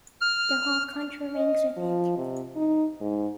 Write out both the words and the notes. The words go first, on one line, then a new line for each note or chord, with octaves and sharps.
The whole country rings with it.
F6
D#5
F3
C3
D#4
G#2